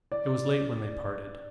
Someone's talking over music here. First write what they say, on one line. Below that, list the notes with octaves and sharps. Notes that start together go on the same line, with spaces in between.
It was late when they parted.
D5